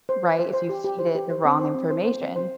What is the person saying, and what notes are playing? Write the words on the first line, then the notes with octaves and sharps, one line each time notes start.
right, if you feed it the wrong information.
C5
C5
C5
C5
G4
G4
C5
G4
C5
C4
C5
C4
C5
C5
C4
C5